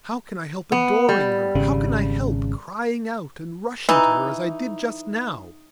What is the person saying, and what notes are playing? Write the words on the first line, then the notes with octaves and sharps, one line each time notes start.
How can I help adoring her, how can I help crying out and rushing to her as I did just now?
B3
G3
G#1 C#3
E3 D#4